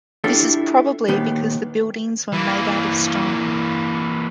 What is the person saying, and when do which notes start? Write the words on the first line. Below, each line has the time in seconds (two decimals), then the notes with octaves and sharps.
This is probably because the buildings were made out of stone.
0.24 D4 E4 F4 G4 A4 C#5
1.08 D#2 A#2 D#3 B3 G4 B4
2.33 E3 A#3